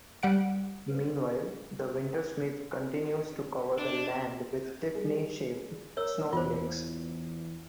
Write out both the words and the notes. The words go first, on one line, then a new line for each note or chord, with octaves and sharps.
Meanwhile, the Wintersmith continues to cover the land with Tiffany-shaped snowflakes.
G3 F#5 D7
D4
G3 G#4
A#4 C#5 E6
E2 F4 C5